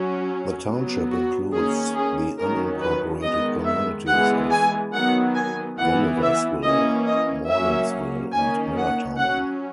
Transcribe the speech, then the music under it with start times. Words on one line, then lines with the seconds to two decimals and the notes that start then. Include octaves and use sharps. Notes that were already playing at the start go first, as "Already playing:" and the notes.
The township includes the unincorporated communities of Welliversville, Mordansville, and Millertown.
Already playing: F#3 C#4
0.68 F#3 B3
1.11 F#4
1.52 D#3 A#3 C#4 G#4
1.95 G#4
2.38 D#3 F#3 C#4 A#4
2.80 B4
3.23 D#3 G#3 B3 D#5
3.65 E5
4.08 E3 G#3 B3 F#5
4.51 G#5
4.93 D#3 F#3 B3 F#5
5.35 G#5
5.79 E3 B3 F#5
6.21 E5
6.63 E3 A#3 C#4 D#5
7.06 D#5
7.48 F#3 A#3 C#4 E5
8.33 D#3 A#3 C#4 G#5
8.77 F#5
9.19 F#3 C#4 F#5